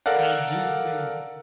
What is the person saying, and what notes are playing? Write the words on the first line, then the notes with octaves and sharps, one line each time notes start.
And I do think
A4 A#4 D5 F5 F#5